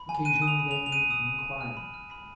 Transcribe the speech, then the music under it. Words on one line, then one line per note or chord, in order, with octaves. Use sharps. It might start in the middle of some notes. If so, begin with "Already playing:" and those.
Occasionally they may even inquire after you.
Already playing: B5
G#5
F#6 D#7
D#6
F7
B5
G#5 F7
F7
F#6 D#7
D#6
B5
G#5
F6
B5
F6
B5